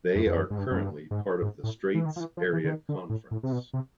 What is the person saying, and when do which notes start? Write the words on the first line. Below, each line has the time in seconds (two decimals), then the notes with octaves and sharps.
They are currently part of the Straits Area Conference.
0.15 F#2
0.26 F2
0.37 F#2
0.50 G#2
0.58 G2
0.71 F#2
0.80 G2
1.11 G#2
1.42 G#2
1.63 A2
1.94 E3
2.05 D#3
2.16 F3
2.20 E3
2.37 F3
2.53 E3
2.64 D3
2.68 D#3
2.89 D3
3.10 A2
3.31 A2
3.43 C3
3.52 B2
3.73 C3